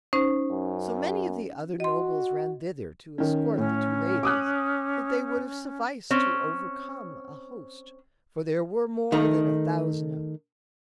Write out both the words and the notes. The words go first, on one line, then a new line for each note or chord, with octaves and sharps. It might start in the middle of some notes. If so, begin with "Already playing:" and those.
So many of the other nobles ran thither to escort the two ladies that they would have sufficed to overcome a host; for there were more than a thousand of them.
C#4 D#4 C5
F#2
F#4 D#5 C6
D#3 C#4
A2 C#4
D6 D#6 F#6
C4 C#4
D#3 A3 D#4